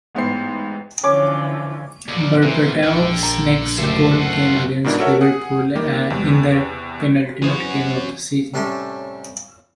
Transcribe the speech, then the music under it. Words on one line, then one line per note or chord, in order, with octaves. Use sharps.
Berbatov's next goal came against Liverpool in the penultimate game of the season.
A1 G#2 B3 E4 C5 C7
D3 E3 F3 C#4 D6
D#2 A#2 F#4 A4 D5
A#2 E3 E4 C5
A#1 D3 A#3 G5
A#5
F#1 D2 G4 A4 C5 D5 E5
A3 F4 F#5
G#2 B2 D#3 D4 E4
F#4 A4 A#4 C#5 E5 F#5
G#4 F#5
D#3 G3 A#3 G4
E2 C3
E3 C#4 F#4 G#4 C5
A2 C3 G3 C#4 A4